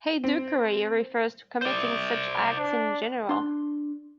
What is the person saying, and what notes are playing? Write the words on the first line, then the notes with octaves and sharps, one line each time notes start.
"Haydukery" refers to committing such acts in general.
C4
C5 D5
D4
D4 C6